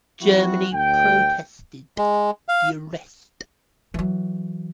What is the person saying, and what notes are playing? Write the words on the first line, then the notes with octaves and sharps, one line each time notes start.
Germany protested the arrest.
F3 C4 E4 F#4
D2 G5
G#3
F5
E3 F#3